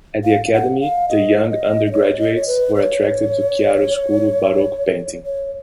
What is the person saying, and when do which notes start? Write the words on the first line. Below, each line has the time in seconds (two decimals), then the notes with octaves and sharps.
At the Academy the young undergraduates were attracted to chiaroscuro Baroque painting.
0.24 F5
0.53 F#5
0.81 F5
1.08 D#5
1.43 C#5
1.50 D#5
1.86 D#5
1.92 C#5
2.19 D#5
2.36 C#5
2.47 B4
2.75 C#5
5.26 C#5